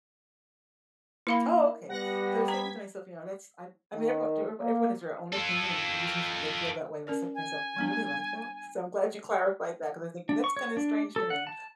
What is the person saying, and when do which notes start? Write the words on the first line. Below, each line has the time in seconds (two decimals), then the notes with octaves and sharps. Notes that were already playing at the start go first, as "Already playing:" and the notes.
Oh, okay. 'Cause I was thinking to myself, you know, that's I I mean, everyone d everyone has their own opinion and reasons that they feel that way. I said to myself, "You really like that?" So I'm glad you clarified that 'cause I was thinking, "That's kinda strange to me."
1.27 A#3 E4 F5 B5
1.89 G3 B3 F#5 A#6
2.48 A#5 G#6 B6
3.95 D#3
4.60 A#3
5.32 F4 A4
7.07 C#4 A#4 D5
7.35 G#5
7.76 G3 B3 D4
10.29 D4
10.44 C#6
10.57 C#5
10.77 D4
11.16 A4
11.30 F#5
11.47 A5